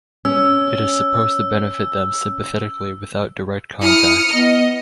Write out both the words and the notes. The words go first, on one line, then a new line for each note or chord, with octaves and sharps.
It is supposed to benefit them sympathetically without direct contact.
C#4 E6
E4 D#6 F6 C#7
B3 D#5